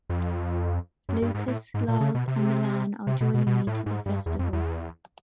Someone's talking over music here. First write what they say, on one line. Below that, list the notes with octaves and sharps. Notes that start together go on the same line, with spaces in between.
Lucas, Lars, and Milan are joining me to the festival.
F2
F#2
G2
G#2
A2
G#2
A#2
C#3
B2
C3
C3
B2
B2
B2
A2
G#2
G2
E2
F2
E2